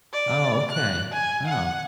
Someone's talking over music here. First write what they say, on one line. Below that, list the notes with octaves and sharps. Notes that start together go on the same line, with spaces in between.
Oh, okay. Oh,
D5
F#6
G#5
F#5